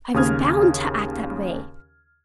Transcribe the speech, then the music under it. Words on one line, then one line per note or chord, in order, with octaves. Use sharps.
I was bound to act that way....
D#2 C#3 D#6 F6 G#6